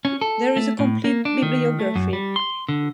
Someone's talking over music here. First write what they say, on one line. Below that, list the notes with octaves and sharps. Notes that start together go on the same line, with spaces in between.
There is a complete bibliography.
C#4
A4
A3
A2
A#3
D4
D#3
A3
F#2
G3
C6
D3